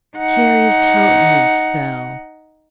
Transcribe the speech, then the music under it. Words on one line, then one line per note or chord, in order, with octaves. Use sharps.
Carrie's countenance fell.
D#4 F#5